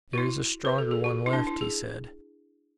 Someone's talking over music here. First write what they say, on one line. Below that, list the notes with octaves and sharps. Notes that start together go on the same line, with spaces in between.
"There is a stronger one left!" he said.
F#4
E4
B4
A4
G#4
F#4
E4
D4
E4
G#4